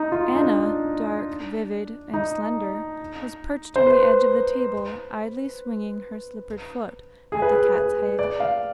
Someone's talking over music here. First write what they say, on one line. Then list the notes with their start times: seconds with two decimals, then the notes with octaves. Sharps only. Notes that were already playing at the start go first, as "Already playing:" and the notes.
Anna, dark, vivid, and slender, was perched on the edge of the table, idly swinging her slippered foot at the cat's head.
Already playing: D#4
0.12 F4
0.35 D#4
0.41 D4
2.14 D#4
3.76 C5
3.87 B4
7.32 G#4
7.42 B4
7.52 G#4
7.75 B4
8.19 D5
8.40 F5